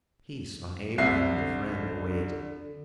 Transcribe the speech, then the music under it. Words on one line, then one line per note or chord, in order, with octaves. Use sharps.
Peace on Abraham the Friend await!
C2 C4 E5 C7
D3